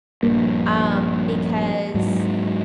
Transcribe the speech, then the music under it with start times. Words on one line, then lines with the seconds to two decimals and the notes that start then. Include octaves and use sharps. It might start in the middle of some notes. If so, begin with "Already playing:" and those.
Um, because
0.23 A#1 G2 A#3
1.94 G#2 F#3